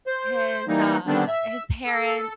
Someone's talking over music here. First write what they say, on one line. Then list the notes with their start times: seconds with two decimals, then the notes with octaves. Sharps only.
His, uh his parent
0.07 C5
0.68 E3 G3 A#3 D#4
1.07 D3 D#3 G3 B3 C4 D4
1.28 E5
1.86 A4